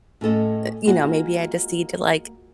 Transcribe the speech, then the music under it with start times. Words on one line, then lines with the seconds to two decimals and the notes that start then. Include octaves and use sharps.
uh, you know, maybe I just need to like
0.21 A2 C#4 A4 D#5
0.87 G#3 A#3 F4 F#4